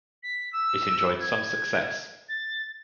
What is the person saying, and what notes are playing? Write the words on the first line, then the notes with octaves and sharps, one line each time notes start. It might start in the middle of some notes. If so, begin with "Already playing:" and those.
It enjoyed some success.
B6
E6
G#6
A6